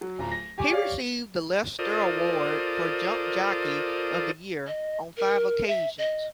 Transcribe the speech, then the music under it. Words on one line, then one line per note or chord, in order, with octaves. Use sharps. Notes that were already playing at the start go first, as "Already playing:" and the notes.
He received the Lester Award for Jump Jockey of the Year on five occasions.
F#3
D1 F4 A#5
A#6
G4 G#5 C#6 D6
G4 C#5 D5 F5
F4 A4 A#4 C5 D5 D#6
D#5
A#4
E5
D#5